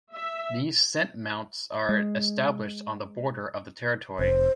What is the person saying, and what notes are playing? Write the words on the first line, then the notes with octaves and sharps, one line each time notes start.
These scent mounts are established on the border of the territory.
E5
G#3
F1 C5